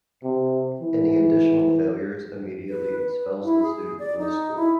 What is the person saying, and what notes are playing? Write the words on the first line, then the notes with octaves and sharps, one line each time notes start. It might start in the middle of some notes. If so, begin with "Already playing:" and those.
Any additional failures immediately expels the student from the school.
C3
E3
B4
B4
E4
G#4
D5
D#4
E4